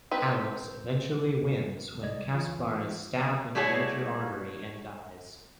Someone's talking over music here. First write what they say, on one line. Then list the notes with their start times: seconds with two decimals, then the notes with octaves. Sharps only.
Alex eventually wins when Kaspar is stabbed in a major artery and dies.
0.11 C4 B4
2.02 C2 D5 D#5 G#6
2.31 E3 F4
3.55 G3 A3 E4 F#4 G#4 C#5